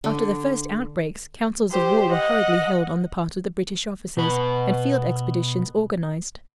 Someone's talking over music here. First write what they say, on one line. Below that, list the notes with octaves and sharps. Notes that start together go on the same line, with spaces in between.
After the first outbreaks, councils of war were hurriedly held on the part of the British officers, and field expeditions organized.
D3
G4 C5
D#5 F#5
B2 B4